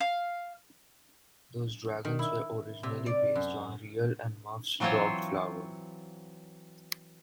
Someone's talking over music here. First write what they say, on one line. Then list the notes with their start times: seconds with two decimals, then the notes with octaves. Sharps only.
Those dragons were originally based on Real and Muff's dog Flower.
0.01 F5
2.05 D#3
2.19 E4
2.83 C3
3.06 D5
3.35 F#2
4.80 E3 F#3 C4 F4 C5 C#5